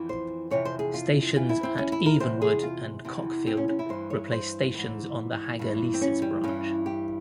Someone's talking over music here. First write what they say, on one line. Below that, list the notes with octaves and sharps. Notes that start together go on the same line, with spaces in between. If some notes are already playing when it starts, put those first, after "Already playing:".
Stations at Evenwood and Cockfield replaced stations on the Hagger Leases branch.
Already playing: F2 E3
C5
F2 C3 E3 C#5
C5
G#4
F4
E2 E3 F4
E4
C4
C#4
E4
A#4
E2 C3 E3 C5
G#4
F4
E2 C3 E3
C4
C#4
C#4
E4
G2 E3 C5
C#5
C5
G#2 E3
G2 E3
C4
C#4
G3
G2 E3 C#4
G4